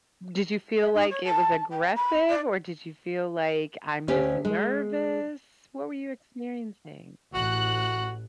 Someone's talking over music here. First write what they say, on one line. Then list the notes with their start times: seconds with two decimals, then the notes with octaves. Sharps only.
Did you feel like it was aggressive or did you feel like I'm just nervous? What were you experiencing?
0.80 E5
0.94 D#4
1.09 C#5
1.24 A5
1.70 G5
1.95 B5
2.29 D5
4.08 D2 C#4 G4
4.45 G#3
7.34 A1 F#4 F#6